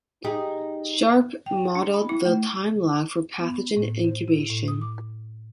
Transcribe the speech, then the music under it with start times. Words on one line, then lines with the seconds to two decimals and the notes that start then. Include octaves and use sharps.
Sharpe, modeled the time lag for pathogen incubation.
0.24 D#4 G4 G#4
1.46 G5
1.75 D4
1.94 B5
2.09 E4
2.25 A3
3.40 B3
3.77 A2
4.05 C5
4.28 E4
4.50 A2
4.68 D#6
4.81 D6